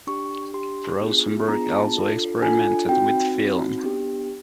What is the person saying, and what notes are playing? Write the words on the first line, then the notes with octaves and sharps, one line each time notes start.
Rosenberg also experimented with film.
D4 G4 C#6
D4 G4 C6
B3 D4 F4 G#4
B3 D4 F4 G#4 A#5
A5
D4 F4 A4
D4 F4 A4 G#5
C4 D#4 F#4 G5
C4 D#4 F#4
B3 D4 G4